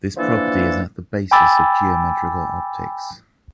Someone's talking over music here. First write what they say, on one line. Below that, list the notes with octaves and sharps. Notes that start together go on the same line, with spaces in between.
This property is at the basis of geometrical optics.
D3 E3 F3 A#3 D4 A4
G5 G#5 B5 D6 E6 A6